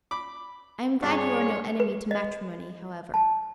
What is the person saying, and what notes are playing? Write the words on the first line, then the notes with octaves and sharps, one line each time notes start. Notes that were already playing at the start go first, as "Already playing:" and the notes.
I am glad you are no enemy to matrimony, however.
B5 D6
G2 D4 F4 G#4 C#5
B4
D#5
A5